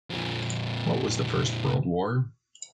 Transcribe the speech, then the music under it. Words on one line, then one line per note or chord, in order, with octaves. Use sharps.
What was the First World War?
F2 A#2